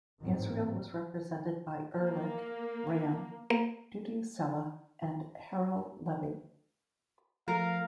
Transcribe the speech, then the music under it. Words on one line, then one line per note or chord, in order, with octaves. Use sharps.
Israel was represented by Erlich, Ram, Dudi Sela, and Harel Levy.
G#1 A2 D#3 E3 C4
A#3
A#3
F3 A3 A#4 F5 A#6